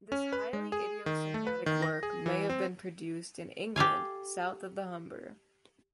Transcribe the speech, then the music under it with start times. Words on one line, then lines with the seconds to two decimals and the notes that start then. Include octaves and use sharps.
This highly idiosyncratic work may have been produced in England south of the Humber.
0.12 C#4
0.32 B4
0.53 G#3
0.72 G#4
1.06 D#3
1.34 A3
1.47 B4
1.66 D#3
1.82 A#6
2.03 G#4
2.26 E3
2.50 C4
3.76 G4 A4 F5 G#5